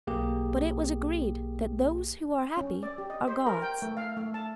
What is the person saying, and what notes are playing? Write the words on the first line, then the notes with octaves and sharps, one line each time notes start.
But it was agreed that those who are happy are gods.
B1 A#3 G4 G#4
C#4
D5
G4
D#5
C5
A#4
G5
A3
F5
A3
A5